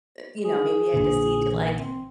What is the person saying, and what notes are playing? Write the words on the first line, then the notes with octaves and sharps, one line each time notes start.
uh, you know, maybe I just need to like
G#4
A#1 A#2 D3
E3
C4